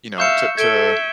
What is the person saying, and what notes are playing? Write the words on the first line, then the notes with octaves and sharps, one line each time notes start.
you know to to
E5 F5 C#6 E6 G6 C#7
A4 E5 G#6 D7 G7